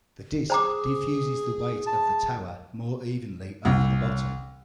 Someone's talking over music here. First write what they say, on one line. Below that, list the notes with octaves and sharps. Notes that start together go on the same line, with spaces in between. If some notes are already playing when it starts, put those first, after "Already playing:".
The disk diffuses the weight of the tower more evenly over the bottom.
G#4 C5 A#5 D6
A5
C2